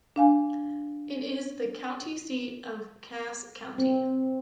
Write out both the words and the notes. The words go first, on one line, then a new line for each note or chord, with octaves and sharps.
It is the county seat of Cass County.
D4 F5 G#5
C4